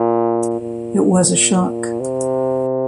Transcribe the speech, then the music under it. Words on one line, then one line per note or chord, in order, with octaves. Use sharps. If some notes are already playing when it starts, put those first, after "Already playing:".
It was a shock.
Already playing: A#2
A#2
C3